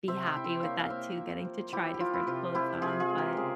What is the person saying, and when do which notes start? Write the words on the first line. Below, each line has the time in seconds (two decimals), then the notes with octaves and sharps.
be happy with that too getting to try different clothes on. But
0.08 C3 C5 E5
0.26 E5 G5
0.36 E4
0.44 C5 E5
0.63 A#3 C#5 F5
0.80 F5
0.90 A#3 C5 E5
1.17 F3
1.45 F3
1.73 F3 E4 G4
1.94 G4
2.00 F3 F4
2.14 E4
2.27 C3 F4
2.55 C3 E4 G4
2.82 C3 F4 G#4
3.00 F4 G#4
3.10 G#3
3.18 G4 A#4
3.36 C#3 G#4 C5